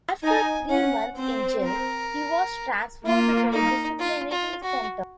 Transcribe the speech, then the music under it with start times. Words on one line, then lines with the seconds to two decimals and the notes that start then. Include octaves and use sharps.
After three months in jail he was transferred to a disciplinary centre.
0.23 D#4 G#5
0.70 C#4 F#5
1.17 C4 C5
1.64 A#4
3.05 A#3 F4
3.53 D#4
4.00 F4
4.31 F4
4.63 F#4